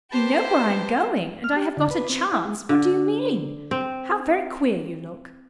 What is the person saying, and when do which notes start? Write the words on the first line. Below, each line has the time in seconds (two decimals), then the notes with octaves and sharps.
"You know where I am going, and I have got a chance--what do you mean? How very queer you look!"
0.12 G4 B4 C5 A5
1.44 F6
1.56 G4
1.77 D3
1.91 B4
2.10 C4
2.32 E4
2.46 G#3
2.69 D3
3.71 C4